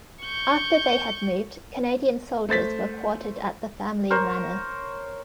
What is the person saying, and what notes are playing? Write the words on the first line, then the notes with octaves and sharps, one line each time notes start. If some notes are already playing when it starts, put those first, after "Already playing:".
After they had moved, Canadian soldiers were quartered at the family manor.
C#6 G6
A3 C5 A6 B6
A#4 C5 C#5